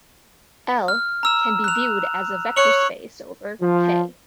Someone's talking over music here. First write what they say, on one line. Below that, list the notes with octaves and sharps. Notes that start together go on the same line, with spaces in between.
"L" can be viewed as a vector space over "K".
F6
A#5 E6 E7
F#6 F7
C#5 F#6 C#7 F#7
F3